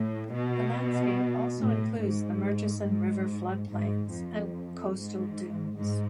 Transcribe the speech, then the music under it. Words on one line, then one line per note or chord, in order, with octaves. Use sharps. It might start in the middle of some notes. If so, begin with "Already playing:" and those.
The landscape also includes the Murchison River flood plains and coastal dunes.
Already playing: A2
B2
A2
G#2
G#2
G#2
F2
G#2
G#2